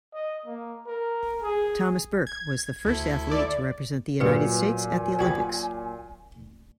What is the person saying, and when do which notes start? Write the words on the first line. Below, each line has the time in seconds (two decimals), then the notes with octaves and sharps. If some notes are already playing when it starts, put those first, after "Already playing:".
Thomas Burke was the first athlete to represent the United States at the Olympics.
0.14 D#5
0.46 A#3
0.87 A#4
1.41 G#4
2.27 G#6
2.85 D2 E4 A4
3.31 D5
4.20 G2 A#2 F#3 B4 D#5 G#5 C#6
5.19 C4 F#4 D5 B5 D#6